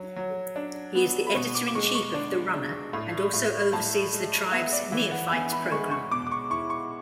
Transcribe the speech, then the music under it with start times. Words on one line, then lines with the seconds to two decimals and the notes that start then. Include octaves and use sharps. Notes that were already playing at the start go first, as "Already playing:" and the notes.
He is the editor-in-chief of "The Runner" and also oversees the tribe's Neophyte program.
Already playing: F#3
0.16 F#3
0.56 D4
0.95 B3
1.27 B5
1.35 B2 C#6
1.55 D6
1.67 D6
1.75 G#3 C#6
1.95 C#6
2.14 D4
2.54 D4
2.93 A2
3.33 A2
3.73 A2 A5
4.13 G#3
4.52 B3 E5
4.73 D5
4.92 E3 E5
5.11 F#5
5.32 B3 G#5
5.52 B5
5.72 G#3 C#6
5.91 C#6
6.11 B2 D6
6.27 D6
6.31 C#6
6.50 E4 C#6
6.70 C#6